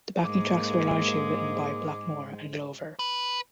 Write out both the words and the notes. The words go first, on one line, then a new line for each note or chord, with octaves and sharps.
The backing tracks were largely written by Blackmore and Glover.
G#2 G#3 A#3 D6
B4